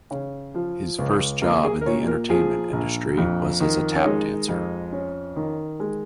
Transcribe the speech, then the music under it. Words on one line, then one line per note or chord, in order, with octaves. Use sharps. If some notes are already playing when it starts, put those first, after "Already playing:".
His first job in the entertainment industry was as a tap dancer.
C#3
F3
C#2
A#3 F4
G#4
A#4
A#2 C#5
A#4
F3 G#4
A#1
F2
D#3
C#4
G#3 D#4
F2
C#4
D#3
G#3